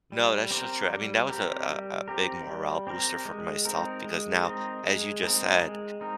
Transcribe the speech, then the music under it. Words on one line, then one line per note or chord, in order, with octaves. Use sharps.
No, that's so true. I mean, that was a a a big morale booster for myself, because now, as you just said,
G3
C4 G4 A#4
G3
C4 G4 A#4
G3
C4 G4 A#4
G3
C4 G4 A#4
G#3
C4 D#4 A#4
G#3
C4 D#4 A#4
G#3
C4 D#4 A#4
G#3
C4 D#4 A#4